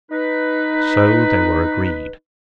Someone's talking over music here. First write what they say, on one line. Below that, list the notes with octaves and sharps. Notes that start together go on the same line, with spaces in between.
So they were agreed.
D#4 B4